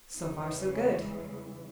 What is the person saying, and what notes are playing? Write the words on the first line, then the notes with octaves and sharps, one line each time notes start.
So far so good.
E2 C#3 E3 G3 D#4
C#4
G#3